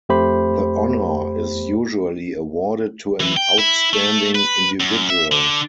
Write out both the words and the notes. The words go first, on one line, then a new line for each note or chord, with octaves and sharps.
The honour is usually awarded to an outstanding individual.
F2 A3 G4 C5 B5
E3
G5
E4
A3
B4
F#2
E5
D3